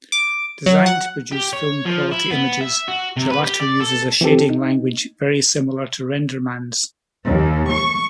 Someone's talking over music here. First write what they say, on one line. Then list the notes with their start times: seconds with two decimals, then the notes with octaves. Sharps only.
Designed to produce film-quality images, Gelato uses a shading language very similar to RenderMan's.
0.12 D6
0.66 F#3
0.86 F#5
1.32 G4
1.53 C#5
1.86 F3
2.12 E4
2.30 B3
2.61 E5
2.88 F#4
3.17 C3
3.31 B4
3.43 G4
3.60 D5
3.80 A4
4.21 E3 C4 G4 A4
4.50 D#4
7.28 D#2
7.72 C#6